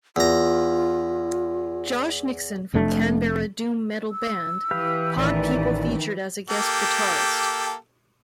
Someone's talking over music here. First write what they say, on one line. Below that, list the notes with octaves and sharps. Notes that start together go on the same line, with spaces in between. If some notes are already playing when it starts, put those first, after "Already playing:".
Josh Nixon from Canberra doom metal band, Pod People featured as a guest guitarist.
E2 F4 A#5
F1 F2 A3 D4
E6
E3 G4 B4 F5
A1 D#3 D5 E5
A#3 G4 A4